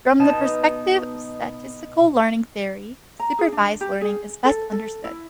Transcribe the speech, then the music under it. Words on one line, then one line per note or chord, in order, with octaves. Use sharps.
From the perspective of statistical learning theory, supervised learning is best understood.
B2 B3 D#4 A5
A#5
G#4
D4
G4
G#4
A4
A4
E4